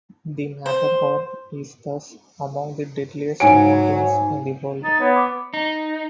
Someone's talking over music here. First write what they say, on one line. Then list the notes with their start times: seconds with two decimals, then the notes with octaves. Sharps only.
The Matterhorn is thus amongst the deadliest mountains in the world.
0.66 C5
3.40 G#2 F#3 G#5 D7
4.84 D#4 A6
5.00 B3 C#5
5.15 D6
5.54 D#4